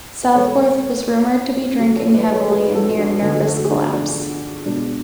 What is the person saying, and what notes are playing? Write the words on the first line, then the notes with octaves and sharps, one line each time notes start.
Southworth was rumored to be drinking heavily and near nervous collapse.
B4
B2 G#3 A4 C#5
C#3 F#3 A3 F#4 A4
A4 C#5
B4 D5
A4 C#5
G#4 B4
F#4 A4
D4 F#4
D3 F#3 A3 F#4 A4
F#4 A4
G#4
D4 F#4
D4
B2 G#3 D4